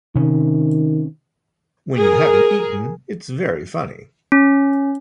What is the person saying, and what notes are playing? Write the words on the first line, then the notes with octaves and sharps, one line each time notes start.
When you haven't eaten, it's very funny.
C3 D#3 C#4
G#4 A#4
C#4